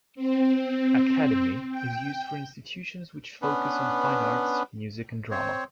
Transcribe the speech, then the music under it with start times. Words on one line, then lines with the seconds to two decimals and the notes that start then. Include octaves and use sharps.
"Academy" is used for institutions which focus on fine arts, music and drama.
0.15 C4
1.69 G5
3.42 B3 C#4 D4 B4
5.31 C4 C5 C#5